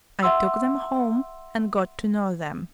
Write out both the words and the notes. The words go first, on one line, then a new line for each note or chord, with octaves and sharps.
I took them home and got to know them.
E5 F#5 C6 E6